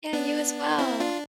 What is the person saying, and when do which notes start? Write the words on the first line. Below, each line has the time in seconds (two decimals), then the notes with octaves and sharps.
Yeah, you as well.
0.13 B3 D4
0.78 C4 E4
1.00 D4 F4